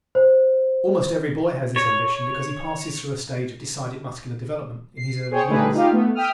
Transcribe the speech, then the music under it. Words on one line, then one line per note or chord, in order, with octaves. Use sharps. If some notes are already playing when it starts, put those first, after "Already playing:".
Almost every boy has this ambition because he passes through a stage of decided muscular development in his early years.
C5
C#5
C7
G#4 C5 C#5 G5
D3 G3 A3 D#4 G#4 B4
D#4 F4 G4 F5
A3 B3
E5 G5 D#6 F6